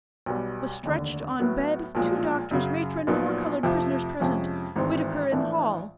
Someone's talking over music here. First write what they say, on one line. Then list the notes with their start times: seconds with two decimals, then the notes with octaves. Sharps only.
Was stretched on bed, two doctors, matron, four colored prisoners present, Whittaker in hall.
0.26 B1 B2 G3
0.83 F1 D#2 D3
1.40 A2 F#3 B3
1.95 B1 A#2 F3 G#3
2.51 F#2 C#3 F#3
3.07 A#1 A#2 F#3 B3 D#4
3.63 F2 C3 F3 A3
4.20 F2 C3 F3 G#3 C#4
4.76 G#1 G#2 E3 A3 C4
5.31 A#1 A2 E3 A3 D4